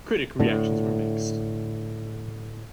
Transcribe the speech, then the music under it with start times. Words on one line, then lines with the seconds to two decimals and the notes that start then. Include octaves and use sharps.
Critic reactions were mixed.
0.40 A2 D3